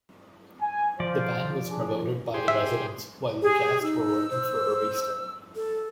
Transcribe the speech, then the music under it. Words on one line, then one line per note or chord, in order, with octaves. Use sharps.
The band was promoted by the residents while the cast were working for Arista.
G#5
F3 F4 C5 D5
D4 G#4
G4 G#4 C5
E5
G4 G#4
D#4 E6
C5
A4